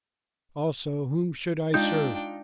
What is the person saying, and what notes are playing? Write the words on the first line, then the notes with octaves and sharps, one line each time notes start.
Also whom should I serve?
G#3 D4 D#4 F4 G5 G6